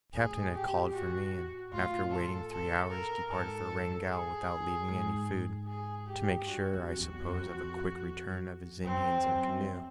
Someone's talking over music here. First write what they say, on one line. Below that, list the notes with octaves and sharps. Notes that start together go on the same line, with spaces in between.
The captain had called for me, and, after waiting three hours, departed for Wrangell without leaving any food, to make sure, I suppose, of a quick return of his Indians and canoe.
A2 G#4
G4
F#4
A2 F4
A4
A4
A#4
G#2 A4
G#4
G#2
G#4
G4
G2 F#4
F2
F#4
E2
F2
F2 C4
F#2
F2